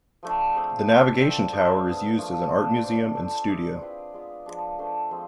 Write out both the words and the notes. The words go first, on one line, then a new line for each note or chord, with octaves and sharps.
The navigation tower is used as an art museum and studio.
F3 A3 D4
C4 G#4 D5 F5
A3 C4 E4
C4 F4 A4
D4 G#4 C5 F5
B3 D4 G#4
F3 A3 D4
D4 F4 A4
D4 A4 C5
D4 A4 C5
E4 G#4 D5
C4 F4 B4
G#3 B3 F4
F3 G#3 B3 D4
A3 D4 A4 C5
F3 G#3 C4